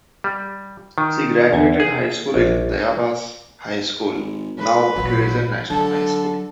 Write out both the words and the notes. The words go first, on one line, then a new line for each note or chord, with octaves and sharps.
She graduated high school in Tayabas High School now, Quezon National High School.
G3
D#3
E2
G#4
A#1
G#1
A2 B4
A1 A#2 F#3
D3 F#3 A4